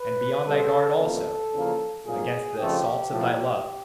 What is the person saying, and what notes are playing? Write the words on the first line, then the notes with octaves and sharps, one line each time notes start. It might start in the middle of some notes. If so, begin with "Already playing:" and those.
And be on thy guard, also, against the assaults of thy love!
Already playing: B4
B2 G3 C4 A4
C#2 C3 F3 A#3 A4
E2 C#3 F3 A#3
C2 A#2 F#3 A#3 G#4
F2 C#3 F3 A3 G4
A2 F3 A#3